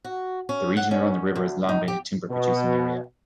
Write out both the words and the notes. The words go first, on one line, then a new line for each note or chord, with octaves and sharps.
The region around the river has long been a timber-producing area.
F#4
C#4
F#5
C#4
D2
D#4
G4
B2